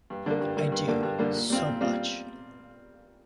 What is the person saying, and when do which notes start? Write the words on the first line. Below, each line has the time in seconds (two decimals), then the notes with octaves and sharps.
I do, so much.
0.10 G2
0.26 D3 G3 A#3
0.41 G2
0.57 D3 G3 A#3
0.72 G2
0.87 D3 G3 A#3
1.03 G2
1.18 D3 G3 A#3
1.35 A#2
1.50 G3 C4 F4
1.66 A#2
1.81 G3 C4 F4